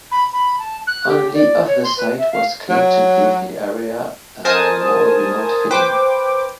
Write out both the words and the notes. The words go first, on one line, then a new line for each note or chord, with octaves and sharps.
Only of the site was cleared to give the area a more remote feeling.
B5
B5
A5
F#6
G4
D5
C#5
C6
B4
E5
F5
F#3
A#4 C5 G#5 A5 D#6
B4 C5 G5 D6